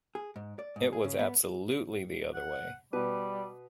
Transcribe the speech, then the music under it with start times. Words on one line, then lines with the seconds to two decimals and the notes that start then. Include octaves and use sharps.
It was absolutely the other way.
0.15 G#4
0.36 G#2
0.59 D5
0.76 G#2
0.93 G#4
1.04 C#3
1.19 B3
2.34 F#5
2.93 B2 G3 B4 D5